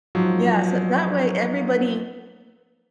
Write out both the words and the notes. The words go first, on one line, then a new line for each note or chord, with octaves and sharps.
Yeah, so that way, everybody
G#2 F3 F#3